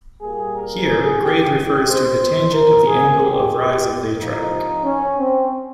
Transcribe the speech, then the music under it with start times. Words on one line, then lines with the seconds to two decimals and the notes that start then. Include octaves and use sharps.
Here grade refers to the tangent of the angle of rise of the track.
0.21 A#2 G3 A#3 G#4
0.55 A#4
0.88 G#4
1.21 G4
1.54 A#2 G#3 G4
1.87 C5
2.53 A#4
2.86 G#2 D#3 A#3 G#4
3.19 G4
3.52 G4
4.18 C#2 C3 F3 A#3 D#4
4.84 C#4
5.17 C4